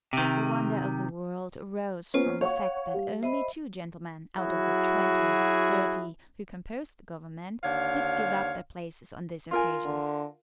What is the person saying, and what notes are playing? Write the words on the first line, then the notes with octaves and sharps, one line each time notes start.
But the wonder of the world arose from the fact that only two gentlemen out of the twenty or thirty who composed the Government did give up their places on this occasion.
C3 D#3
A#3 B3 C#4 F4 C5
C#5 F5 F#5 C#6
G3
C5 D#5 E5 B5
F#3 E4 F#4 G#4
D#2 D3 C5 C#5 F5
F4 A#4 G#5
D3